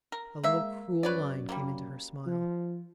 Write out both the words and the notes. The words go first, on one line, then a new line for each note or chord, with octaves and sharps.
A little cruel line came into her smile.
A#4
G#3 A#3 E5
F#2 B4 C#5 D5
G3 A#3
F3